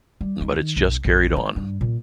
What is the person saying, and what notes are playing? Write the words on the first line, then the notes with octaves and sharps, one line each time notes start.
But it's just carried on.
G3
D#3
B1
A#1
G#3
G2
A#2